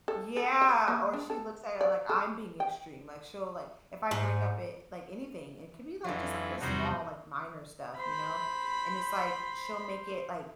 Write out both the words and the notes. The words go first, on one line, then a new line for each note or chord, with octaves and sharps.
Yeah, or she looks at it like I'm being extreme, like she'll like if I bring up it like, anything, it could be like just something small like minor stuff, you know, and it's like she'll make it like
A4
A4
G5
A#3
D4
A4
D5
A4
G5
G#2
F2 D3 E3 F#3
E2 G2 C3 G3 D#4 F#4 C5 C#5
C5 B5